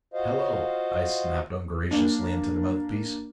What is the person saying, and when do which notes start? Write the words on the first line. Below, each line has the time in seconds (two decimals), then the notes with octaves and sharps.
"Hello!" I snapped ungraciously into the mouthpiece.
0.14 F4 F#4 C5 D#5 F5
1.91 A#3 D4